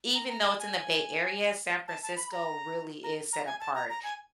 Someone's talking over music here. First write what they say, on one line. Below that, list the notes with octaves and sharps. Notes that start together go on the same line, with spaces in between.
even though it's in the Bay Area, San Francisco really is set apart.
A#5
A#5
A5
G#5
A5
A5
B5
A#5
A#5
A#5
G#5
A5
A#5
A#5
G#5